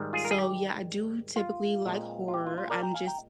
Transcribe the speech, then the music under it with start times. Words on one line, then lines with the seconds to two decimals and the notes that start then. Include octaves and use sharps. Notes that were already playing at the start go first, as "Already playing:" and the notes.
so yeah, I do typically like horror, I'm just
Already playing: G#2 D#3 G3
0.13 F4 G#4
0.25 A#4
0.31 G#4
0.39 G4
1.36 F4
1.85 A#2 G#3 C4
2.28 F4
2.34 G4
2.47 F4
2.58 F4
2.70 A#4 D5
2.83 G5 A#5
2.94 F5 G#5
3.07 G5 A#5